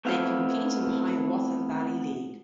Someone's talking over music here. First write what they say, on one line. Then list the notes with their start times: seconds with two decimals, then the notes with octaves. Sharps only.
They compete in the Hiawatha Valley League.
0.05 A3 B3 C4 E4 F5